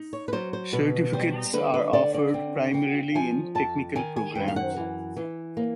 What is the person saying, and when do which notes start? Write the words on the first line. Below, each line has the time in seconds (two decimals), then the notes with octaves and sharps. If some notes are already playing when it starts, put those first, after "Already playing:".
Certificates are offered primarily in technical programs.
Already playing: D#4
0.13 C#5
0.28 B4
0.32 F#3 C5
0.53 C5
0.72 B2 B4
1.13 G3 C5
1.53 D3 B4
1.74 B4
1.93 D3 D5
2.14 D5
2.34 C4
2.74 C4
3.15 F3 G#5
3.55 F2 A5
3.96 D#3 G#5
4.16 G#5
4.35 F#2 G5
4.48 F5
4.56 F#5
4.76 E3
5.17 E3
5.57 A#3